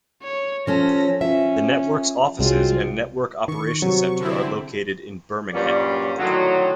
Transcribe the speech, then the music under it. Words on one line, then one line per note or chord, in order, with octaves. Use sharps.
The network's offices and network operations center are located in Birmingham.
C#5
F3 C#4 A4 A#6
F3 C#4 E5
C2 F#3 G#3 C4 F4
D#3 C#6
C3 F#3
D3 C4 E4
G2 A#2 F#3 G3 C#4 D5
A2 D3 D#3 F3 F#3